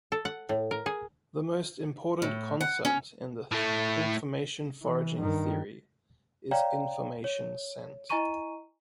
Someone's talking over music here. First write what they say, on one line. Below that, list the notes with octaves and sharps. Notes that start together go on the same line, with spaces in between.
The most important concept in the information foraging theory is "information scent".
A4
F#5
A2
A#4
G#4
A2
F#5
C#4
A2 A3
E3
G2 D#3
C#5 D5 F5 G5 A#5
C#5
E4 D#5 G#5 A#5 C#6 D#7